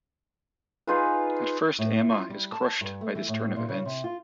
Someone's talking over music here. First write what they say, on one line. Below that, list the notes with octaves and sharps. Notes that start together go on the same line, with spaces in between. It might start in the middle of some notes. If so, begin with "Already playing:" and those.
At first Emma is crushed by this turn of events.
D#4 F4 G#4 B4
A2
F4
G3
A5
G2
A3
E3
A2
A#2
C#3
C3
F4